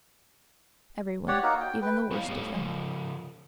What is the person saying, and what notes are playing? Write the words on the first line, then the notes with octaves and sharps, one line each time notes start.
Every one--even the worst of them.
G4 C#5 D5 F#5
A#3 D#4 F#4 A#4
G5
B4 G5
B3 E4 C#5 D#5 F5
A2 G3 A3 B3 A4 C#5
C#3 F3